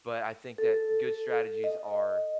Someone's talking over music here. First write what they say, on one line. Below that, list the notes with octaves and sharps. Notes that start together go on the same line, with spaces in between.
but I think that good strategies are,
A4
D#5